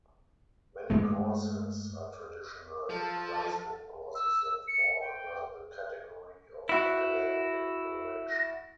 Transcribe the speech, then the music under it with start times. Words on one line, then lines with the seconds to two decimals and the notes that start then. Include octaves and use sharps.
Many courses are traditional classroom courses that fall under the category of "Academic Exploration".
0.90 G2 G#3 A3
2.90 F3 A4
4.15 E6
4.68 C#7
5.00 G5
6.69 E4 F#4